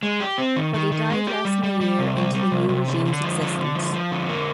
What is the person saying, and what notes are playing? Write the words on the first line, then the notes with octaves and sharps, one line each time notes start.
But he died less than a year into the new regime's existence.
G#3
G4
C4
D#3
D#3
D#3
G#3
G4
G3
G3
G3
C3
G3
G3
C3
C3
D3
D3
F3
D3
D3
F3
F3
D3
A#3